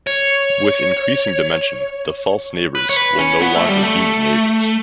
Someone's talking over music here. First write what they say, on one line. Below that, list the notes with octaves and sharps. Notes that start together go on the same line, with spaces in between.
With increasing dimension, the false neighbors will no longer be neighbors.
C#5
B4
C#5
B4
C#4
B3
A3
G3
A3